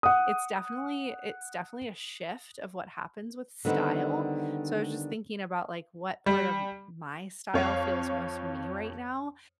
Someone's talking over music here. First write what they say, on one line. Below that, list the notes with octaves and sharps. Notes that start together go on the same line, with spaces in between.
it's definitely it's definitely a shift of what happens with style, so I was just thinking about, like, what part of my style feels most me right now,
F#5 D#6
D3 D#3 G3 B3 C4 D#4
G3
F2 C#5 F5